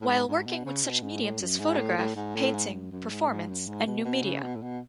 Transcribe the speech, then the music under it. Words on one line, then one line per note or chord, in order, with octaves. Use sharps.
While working with such mediums as photograph, painting, performance and new media.
A2
G#2
G#2
B2
C#3
B2
G#2
A2
F#2
G#2
A2
A2
G#2
A2
G#2
F#2
F#2
G#2
G#2
F#2
G#2
B2
B2
C#3
B2
A2
B2